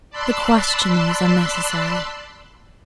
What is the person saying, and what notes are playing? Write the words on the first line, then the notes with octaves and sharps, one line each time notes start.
The question was unnecessary.
D5 A5 B5 C6 E6 F#6